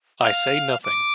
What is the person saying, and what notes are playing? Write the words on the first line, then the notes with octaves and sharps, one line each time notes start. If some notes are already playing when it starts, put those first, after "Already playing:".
I say nothing.
F5
D6